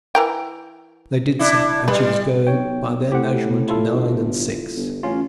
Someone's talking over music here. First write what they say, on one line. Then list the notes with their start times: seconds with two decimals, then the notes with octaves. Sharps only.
They did so; and she was going, by their measurement, nine and six.
0.15 E3 A#4 G5
1.39 D4 E4
1.88 G3 B4
2.47 B1 C#5 G5
3.12 A2 G4 C5 F#5
3.68 E4 F4 A4
3.93 G1
4.76 G1
5.03 A1 C#4 F4